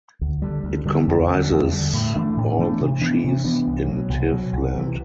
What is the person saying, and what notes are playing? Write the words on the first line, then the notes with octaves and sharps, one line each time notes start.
It comprises all the chiefs in Tiv land.
D2
D3 G3
D2
D3 G3
E2
D3
G3
E2
D3 G3
A2
E3 A3 D4
A2
E3 A3 D4
C3
E3 B3 D4
C3
E3 B3 D4
C2
B2 F#3
C2
B2 F#3
C2
C3 E3